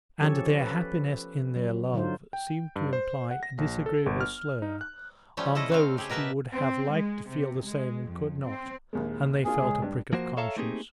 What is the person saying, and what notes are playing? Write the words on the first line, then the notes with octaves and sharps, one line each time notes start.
And their happiness in their love seemed to imply a disagreeable slur on those who would have liked to feel the same and could not--and they felt a prick of conscience.
F3 C#4 G4 A4 C#5
B4
F#3
D3 F#3 D#4 F4 C5
G5
G2
C5
F#5
A#6
A#1
A4
G1
F6
D#4
F#6
F3 G3 A3 C#4
E4 A4 D#5
C#3 C4 F5
G4 G#4
B2 A#4 B4 E5 A5
C4
G#3
C3
G#3
F2
C4
A#1 D#2 G#3
A#3 D4 F4 G#4
C#2
G2 D4
F3 A#3 F#4 C5
A4 C#5 E5 F5 A5 A#5
A3 A#3 C4 D#4 G4 G#4